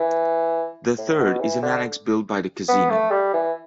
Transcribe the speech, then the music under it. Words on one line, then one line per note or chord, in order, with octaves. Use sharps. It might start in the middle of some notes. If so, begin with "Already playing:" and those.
The third is an annex built by the casino.
Already playing: E3
A2
B2
E3
D3
B3
A3
G3
E3